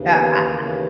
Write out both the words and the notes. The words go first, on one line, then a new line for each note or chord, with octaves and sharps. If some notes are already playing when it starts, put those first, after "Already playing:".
Yeah I I
Already playing: D#2 C#3 E3
B3
A#3
D#2 C#3 E3 A#3